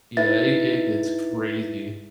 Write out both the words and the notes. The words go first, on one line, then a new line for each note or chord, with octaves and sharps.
Yeah, it it gets crazy.
D#4 E4 B4 E5 A6